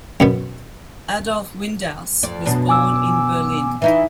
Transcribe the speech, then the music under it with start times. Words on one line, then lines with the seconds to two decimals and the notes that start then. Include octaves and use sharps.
Adolf Windaus was born in Berlin.
0.20 F#2 B2 B3
2.23 F2 D5
2.45 F#2 B2 D4
2.69 G#5 D6 E6
3.82 E3 D#4 E4 E5